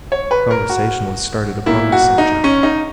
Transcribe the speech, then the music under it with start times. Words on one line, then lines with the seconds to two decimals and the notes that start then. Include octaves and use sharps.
Conversation was started upon this subject.
0.12 C#5
0.31 B4
0.51 A#4
0.70 F#4
1.66 B1 A#2 A#3 E4
1.92 F#4
2.18 D#4
2.44 C#4
2.63 D#4